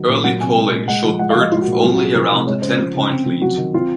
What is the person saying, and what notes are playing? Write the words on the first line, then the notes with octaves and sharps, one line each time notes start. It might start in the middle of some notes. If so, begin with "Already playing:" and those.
Early polling showed Byrd with only around a ten-point lead.
Already playing: D#3 F#3
A#2
F#3 F#5
C3 G#5
G#3
A#2
G#3 F#5
F3
G#3 F#5
F5
F3
D#5
G#3 F4
F#4
A#2
F#4
F#3 F4
F#4
C3
G#4
F3 A#4
C3
G#3 C#5
C#3 C5
F3
C#3
C4
F3
F#3 F#4
D#3
C4 F4